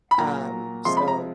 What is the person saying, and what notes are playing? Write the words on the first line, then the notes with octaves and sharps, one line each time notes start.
Um, so,
B5
A#2 F#3 A#5
C3 F3 G#3 C6
B5
A#5